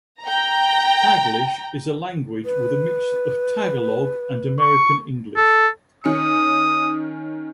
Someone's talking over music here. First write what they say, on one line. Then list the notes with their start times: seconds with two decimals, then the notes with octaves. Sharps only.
Taglish is a language with a mix of Tagalog and American English.
0.23 G5 A#5
2.45 B4
4.61 C#6
5.37 A4
6.04 D#3 C#4 D#6 C#7